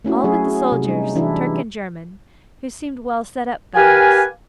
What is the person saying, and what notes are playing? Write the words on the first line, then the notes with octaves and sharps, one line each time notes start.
All but the soldiers, Turk and German, who seemed well-set-up fellows.
A3 C#4 E4 F#4
F#3 G#4
C3
G3 D#4
E3 D4 E4 G#4
G4 A#4 B4 F5 G#5